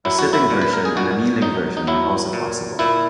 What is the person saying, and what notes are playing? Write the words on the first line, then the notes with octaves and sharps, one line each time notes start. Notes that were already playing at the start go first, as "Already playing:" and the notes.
A sitting version and a kneeling version are also possible.
F#3 E4
F#4
E4
A#2
B4
A#4
G#4
A#2 F#4
F#3 D#4
D#4
F#3 E4
A#2
A#2 E4